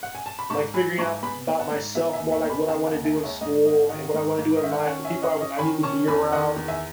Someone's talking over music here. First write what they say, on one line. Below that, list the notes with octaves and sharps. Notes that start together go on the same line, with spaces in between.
like, figuring out 'bout myself more, like, what I want to do in school, and what I want to do in life, the people I w I need to be around,
F#5
G#5
A5
B5
G#2 A5 C#6
F#3 G#5 B5
G#2 A5 C#6
B3 G#5 B5
B3 G#5
F#5 A5
G#2
B3 E5 G#5
E5 G#5
D#2
E5 G#5
B3
G#5 B5
C#3 F#5 A5
F#5 A5
D#2
E5 G#5
G#3
C#5 E5
G#2 D#5
G#1 D#5
D#3 D#5 F#5
G#2
G#2
D#5
D#3 E5
F#5
G#5
C#4 F#5 A5
E5 G#5
C#4
D#5 F#5
C#4
D#5
D#3 G#5 B5
C#4 A5 C#6
E2 G#5 B5
D#3 D#5 F#5
E2
E5 G#5